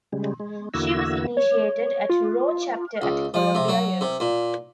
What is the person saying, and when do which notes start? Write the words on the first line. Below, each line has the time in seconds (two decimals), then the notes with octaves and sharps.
She was initiated at Rho Chapter at Columbia University.
0.13 C#3 G3 G#3
0.40 G#3
0.74 E2 D3 A#3 E4 F#4 E6
1.37 C#5
2.10 F4
3.02 C#2
3.34 F3
3.55 C3
3.68 F#3
4.01 C3
4.20 A#2